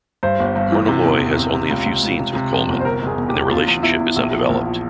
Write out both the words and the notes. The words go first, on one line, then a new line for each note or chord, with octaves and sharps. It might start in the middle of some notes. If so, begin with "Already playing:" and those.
Myrna Loy has only a few scenes with Colman, and their relationship is undeveloped.
G2 C5
G1
G2
E3
C3
E2
E2
C3
C3
C#2
C#2
C#2
C3
C3
F2
G1
C5
C3 A#4
E1 G#4
E2
G4
E2
E2 F4
E2
E2 E4
E2
A#1 E4
F3
A#1
F3